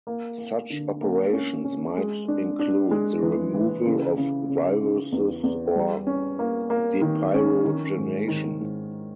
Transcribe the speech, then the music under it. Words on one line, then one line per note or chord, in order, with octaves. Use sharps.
Such operations might include the removal of viruses or depyrogenation.
A#3
A#3
D3
A#3
C#4
C#4
G#3
D4
D4
G#3
E3
E3
C#3
C#3
C#3
C#3
E2
E2
G3
C#4
A#3
A#3
D#3
C#4
D#3
G#2
D#3
G#2